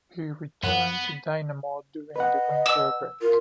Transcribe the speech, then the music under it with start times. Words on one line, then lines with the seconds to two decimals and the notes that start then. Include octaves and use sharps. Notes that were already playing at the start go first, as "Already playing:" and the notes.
He returned to Dinamo during the winter break.
0.63 F#2 B3 F#5
2.16 B4 D#5 F#5
2.66 E6
3.21 F4 A#4